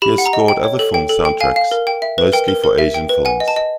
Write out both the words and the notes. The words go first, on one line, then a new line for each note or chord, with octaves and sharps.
He has scored other film soundtracks, mostly for Asian films.
G4 B5
F#5
A#5
D#5
G5
C#5
A4
G5
A4
G5
F5 G#5
F5
A#4
G5
E5
B4
A#4 G5
A#4
A#4
E5
G5
B4
F#5 G#5
D#5
A5
D#5